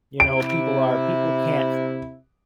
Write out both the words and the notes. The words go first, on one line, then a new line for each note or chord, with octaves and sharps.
you know, people are, people can't
C3 E4 D7